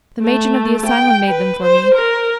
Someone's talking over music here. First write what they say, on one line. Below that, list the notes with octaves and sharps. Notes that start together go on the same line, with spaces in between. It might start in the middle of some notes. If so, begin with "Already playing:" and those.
The matron of the asylum made them for me.
A3
G5
B4
C5
A#4